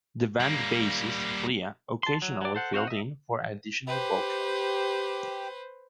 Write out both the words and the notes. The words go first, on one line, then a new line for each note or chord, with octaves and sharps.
The band's bassist Flea occasionally filled in for additional vocals.
G3 A#3
A5 C6
F#3
F#3 D5
A4 C5 F#5
C4 F#4 C5 F5 F#5
D#5 E5
G4 B4 C5